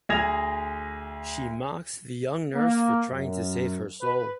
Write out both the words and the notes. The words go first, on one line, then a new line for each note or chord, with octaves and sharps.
She mocks the young nurse for trying to save her soul.
D2 G#4 G#6 A#6 F7
A#3
F#2
B4